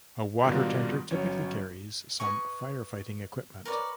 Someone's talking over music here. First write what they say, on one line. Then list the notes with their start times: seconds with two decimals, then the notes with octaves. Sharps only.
A water tender typically carries some fire fighting equipment.
0.43 G#2 B2 D#3 G3 D4 F4
1.10 G1 F#3 C#4 C#5
2.20 B4 D#5 G#5 C#6
3.65 A#4 B4 C#5 D5